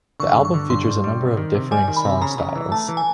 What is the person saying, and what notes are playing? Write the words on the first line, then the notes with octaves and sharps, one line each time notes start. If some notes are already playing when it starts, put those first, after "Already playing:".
The album features a number of differing song styles.
D3 C#6
G2
C#6
D3
G2 C6
G3
G3
C3
D#3
C3
G3 G#5
D#3
B5
C3
C#3 A#5
C#3
E3
A3 A5
E3
G#5